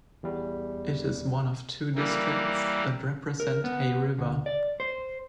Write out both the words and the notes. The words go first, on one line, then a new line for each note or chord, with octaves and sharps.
It is one of two districts that represent Hay River.
E2 G3
E3 G3 A#3
A#4
B3
D2
D5
C5